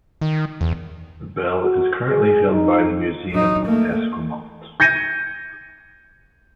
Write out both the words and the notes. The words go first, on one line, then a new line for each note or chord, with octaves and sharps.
The bell is currently held by the museum in Esquimalt.
D#3
E2
F#4
G#4
D#4
F#3 D#4
A3 A#3
G6 G#6 A#6 C#7 D#7